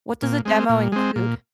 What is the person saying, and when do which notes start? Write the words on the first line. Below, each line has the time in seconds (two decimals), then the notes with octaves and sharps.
What does a demo include?
0.22 A#2
0.45 G#3 C4
0.69 A#2
0.92 G#3 C4
1.16 A#2